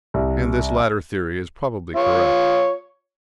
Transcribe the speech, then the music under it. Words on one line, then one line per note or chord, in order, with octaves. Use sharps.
And this latter theory is probably correct.
C2
F4 C#5